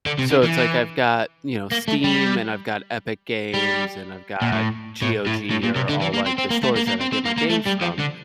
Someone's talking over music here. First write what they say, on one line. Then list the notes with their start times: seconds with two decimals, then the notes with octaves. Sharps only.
so it's, like, I've got, you know, Steam, and I've got Epic Games, and I've got GOG or all, like, the stores that I get my games from
0.06 D3
0.19 C3
0.31 D3
0.43 E3
1.72 A#3
1.88 A3
2.04 G3
3.54 G3
4.42 A#2
4.52 A2
5.02 A2
5.27 A2
5.51 A2
5.64 A#2
5.76 C3
5.89 D3
6.01 E3
6.14 A#3
6.26 C4
6.38 C4
6.50 A#3
6.63 A3
6.76 A#3
6.87 A#3
7.01 C4
7.12 C4
7.25 A#3
7.38 A#3
7.50 A3
7.67 G3
7.82 F3
8.00 D3